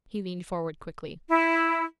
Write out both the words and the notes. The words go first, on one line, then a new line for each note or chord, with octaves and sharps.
He leaned forward quickly.
E4